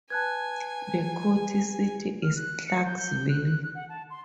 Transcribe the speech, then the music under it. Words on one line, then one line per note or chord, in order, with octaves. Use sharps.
The county seat is Clarkesville.
B4 G#5 A5 F#6 G#6
F6
F#6
C#7
G6
G6
F#6
F#6
F#6
F#5
A5
C6